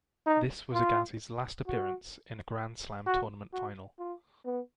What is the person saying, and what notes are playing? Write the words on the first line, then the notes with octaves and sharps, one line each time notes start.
This was Agassi's last appearance in a Grand Slam tournament final.
D#4
F4
F#4
F#4
F#4
F4
B3